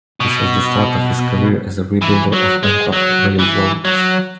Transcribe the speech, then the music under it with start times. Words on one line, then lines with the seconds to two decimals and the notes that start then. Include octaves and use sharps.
This was the start of his career as a rebuilder of bankrupt railroads.
0.20 B2
2.02 E3
2.33 F#3
2.64 G#3
2.93 F#3
3.39 E3
3.85 F#3